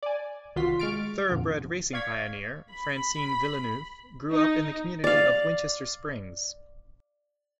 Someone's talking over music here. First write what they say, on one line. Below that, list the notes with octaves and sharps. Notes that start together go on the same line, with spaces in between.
Thoroughbred racing pioneer Francine Villeneuve, grew up in the community of Winchester Springs.
D5 G#5
C2 D#3 F4 F#4 C6 B6
G#3 C#6 F6 A6 D7
F2 A#2 D3 F3
D5 F5 C#6 G#6 B6
B5
D#4
D5 F5